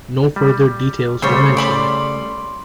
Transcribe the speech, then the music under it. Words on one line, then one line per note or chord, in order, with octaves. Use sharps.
No further details were mentioned.
G3
C#3 G3 A3 C5 C#5
D5 B5 C6